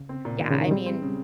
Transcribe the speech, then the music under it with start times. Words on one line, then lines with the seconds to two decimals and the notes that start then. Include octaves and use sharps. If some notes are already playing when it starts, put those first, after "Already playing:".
yeah, I mean,
Already playing: C#3
0.09 C4
0.25 A#2
0.40 A#2 D#3
0.51 C#3
0.56 D#3 G#3
0.71 G3 C4
0.86 C4
1.02 C#3